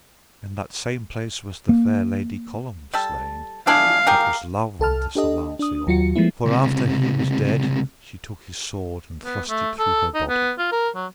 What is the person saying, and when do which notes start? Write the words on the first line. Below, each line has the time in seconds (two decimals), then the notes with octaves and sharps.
And in that same place was the fair lady Colombe slain, that was love unto Sir Lanceor; for after he was dead she took his sword and thrust it through her body.
1.69 A#3
2.94 G3 A4
3.67 D4 E4 G#4 F5
4.07 G4 G#4 A#4
4.80 C2 A4 A5 F6
5.15 D4 G4 A4 D#5
5.59 D4 D#6
5.87 D#2 F#3 F4 F#4 C#7
6.15 F3 G#3 A3 B3 E4
6.45 C#2 C3
9.24 B3
9.49 A3
9.79 A4
10.14 D#4
10.29 B3
10.58 F4
10.72 A#4
10.95 F#3